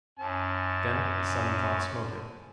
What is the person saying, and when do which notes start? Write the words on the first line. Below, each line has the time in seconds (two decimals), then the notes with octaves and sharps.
Then a sudden thought smote him.
0.19 F#2 C#4 A5